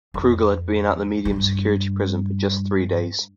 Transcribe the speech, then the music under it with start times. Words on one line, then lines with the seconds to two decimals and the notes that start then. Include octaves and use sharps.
Krugel had been at the medium security prison for just three days.
0.14 F2
1.25 G2